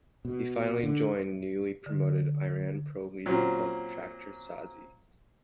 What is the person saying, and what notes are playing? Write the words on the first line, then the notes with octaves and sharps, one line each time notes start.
He finally joined newly promoted Iran Pro League club Tractor Sazi.
B2
D3
D3
A#2 F#3 C4 C#4